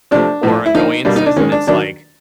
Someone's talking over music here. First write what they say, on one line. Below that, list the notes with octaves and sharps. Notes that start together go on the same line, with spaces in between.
or annoyances, and it's like,
C3 F3 A3 D4
A2 F3 A3
E4
D3 F3 A#3 D#4
B2 G3 A#3 D4
D#4
D4
D#3 G#3 C#4
D4
D#3 F#3 D4